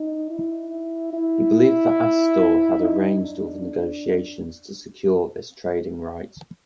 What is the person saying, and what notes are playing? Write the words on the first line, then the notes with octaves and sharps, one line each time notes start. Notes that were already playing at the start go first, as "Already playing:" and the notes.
He believed that Astor had arranged all the negotiations to secure this trading right.
Already playing: D#4
E4
E4
D#4
D4